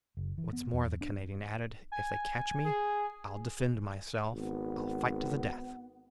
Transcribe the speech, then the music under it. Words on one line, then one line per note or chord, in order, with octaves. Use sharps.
"What's more," the Canadian added, "if they catch me, I'll defend myself, I'll fight to the death."
F#1
E3
B3
E2
D4
G#5
G#4
G#1 B3